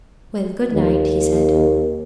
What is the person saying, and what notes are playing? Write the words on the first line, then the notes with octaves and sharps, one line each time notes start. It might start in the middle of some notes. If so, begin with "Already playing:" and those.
"Well, good night," he said.
D#2